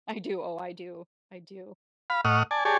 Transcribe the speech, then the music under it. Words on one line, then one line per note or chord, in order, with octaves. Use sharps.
I do. Oh, I do, I do.
F5 B5
A2 D#5 F#5 C#6 D#6 F6
D5 G#5 A5
G4 G#4 C#5 D5 G#5 A5